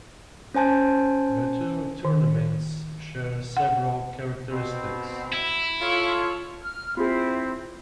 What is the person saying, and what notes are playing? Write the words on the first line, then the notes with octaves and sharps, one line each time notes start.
The two tournaments share several characteristics.
C#4 C5 G#5 A5 G6
D#3
F#5
B2 C4
E4
F4 A4 C#5
F6
C4 E4 F4 G#4